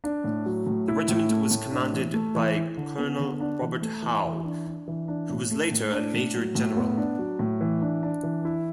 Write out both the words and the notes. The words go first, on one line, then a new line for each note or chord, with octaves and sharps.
The regiment was commanded by Colonel Robert Howe, who was later a major general.
D4
A2
F#3
A2
E4
A2
A3
A2
D4
E3
A3
E3
E4
D3
B3
D3
D4
E3
A3
E3
E3
D4
D4
E3
D4
A2
A3
A2
D4
A2
F#3
A2
B3
D4
F#3
A2
E3
D4
D4
E3
E4